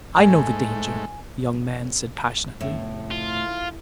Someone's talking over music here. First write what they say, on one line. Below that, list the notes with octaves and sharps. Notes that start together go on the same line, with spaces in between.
"I know the danger," the young man said passionately.
G#2 A3 G#5
E1 C2
G2
F1 A2 B3
F4